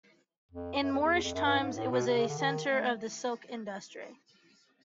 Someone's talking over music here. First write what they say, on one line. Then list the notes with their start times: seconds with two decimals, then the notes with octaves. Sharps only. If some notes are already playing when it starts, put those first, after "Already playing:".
In Moorish times it was a centre of the silk industry.
0.51 F2
0.83 F#2
0.93 F2
1.04 E2
1.14 E2
1.24 F2
1.35 F#2
1.45 G2
1.60 G#2
1.76 A2
1.92 B2
2.07 C3
2.18 C#3
2.28 D3
2.38 D#3
2.70 A3